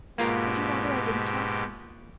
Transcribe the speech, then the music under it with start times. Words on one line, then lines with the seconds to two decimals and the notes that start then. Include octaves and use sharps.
Would you rather I didn't talk?
0.18 G#2 B2 A#3 F4 G4 A#4